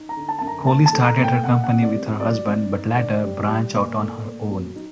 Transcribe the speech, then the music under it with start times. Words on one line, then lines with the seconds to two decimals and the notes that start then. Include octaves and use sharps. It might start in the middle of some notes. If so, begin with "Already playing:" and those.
Kohli started her company with her husband but later branched out on her own.
Already playing: D#4
0.09 A#5
0.17 D3
0.29 A5
0.39 F#2 A5
0.47 A#5
0.67 A#2 A5
0.86 A5
0.93 A3
1.06 A#5
1.19 A#2
1.24 G5
1.44 A#3 F#5
1.64 F#5
1.70 C3
1.83 D5
1.95 G3
2.20 F#3 D5
2.46 C4
2.71 D#4
2.97 D3 D5
3.24 G3
3.48 G3
3.74 A#2
3.99 A3
4.25 A#2
4.51 F#3
4.76 D#4